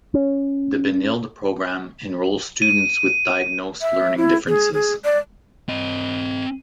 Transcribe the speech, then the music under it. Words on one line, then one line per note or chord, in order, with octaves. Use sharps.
The Benilde Program enrolls students with diagnosed learning differences.
C#4
D#7
E5
E4
G#4
G#4
D5
C4 D#5